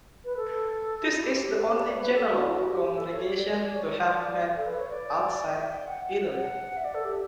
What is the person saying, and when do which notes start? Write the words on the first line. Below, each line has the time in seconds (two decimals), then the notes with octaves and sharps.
This is the only General Congregation to have met outside Italy.
0.24 B4
0.36 A4
1.01 E4
1.11 E4
1.22 G4
1.33 G4
1.65 G4
1.76 D5
1.88 C#5
1.99 B4
2.14 A4
2.31 F#4
2.42 E4
2.52 F#4
2.63 G4
2.95 A4
3.11 C#5
3.27 D5
3.38 D5
3.49 D5
3.60 D5
3.75 C#5
3.92 D5
4.55 A4
4.66 B4
4.77 C#5
4.88 D5
5.54 E5
5.70 G5
5.86 F#5
6.35 F#5
6.76 E5
6.84 D5
6.94 A4
7.04 G4